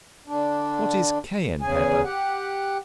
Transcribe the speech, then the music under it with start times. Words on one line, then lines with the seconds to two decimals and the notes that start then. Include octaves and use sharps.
What is Cayenne Pepper?
0.27 D3 D4
1.62 E2 C#3 G#4 G#5
2.04 G4 F#5